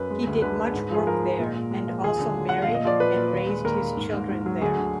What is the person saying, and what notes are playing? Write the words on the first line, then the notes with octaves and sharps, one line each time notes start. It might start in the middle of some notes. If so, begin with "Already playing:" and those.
He did much work there and also married and raised his children there.
Already playing: F#2 B4
G#3
D2
D3 B4
G#3
G#2
F3 G#4
F3 A#4
G#3
A#2
A#2
G#3
F3
D#2 G#4
D3
G#3
F3 F#5
F5
A#2
D#5
F3 D5
A#2 B4
A#2
D#2
G#3
D#2 A#4
D#2
G#2
G#2
G#2
F#3
D2 G#4
D3